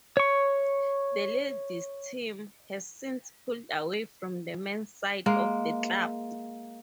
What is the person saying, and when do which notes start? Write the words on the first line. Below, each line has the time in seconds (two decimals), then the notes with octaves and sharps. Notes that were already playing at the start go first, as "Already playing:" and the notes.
The ladies' team has since pulled away from the men's side of the club.
0.17 C#5 C#6
5.26 G#3 A#3